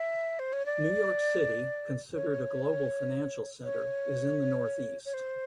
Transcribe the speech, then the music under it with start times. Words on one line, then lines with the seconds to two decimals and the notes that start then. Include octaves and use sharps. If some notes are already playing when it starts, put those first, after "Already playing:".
New York City, considered a global financial center, is in the Northeast.
Already playing: E5
0.39 C5
0.53 C#5
0.66 D5
2.15 C#5
3.64 C#5
5.05 C#5
5.14 C5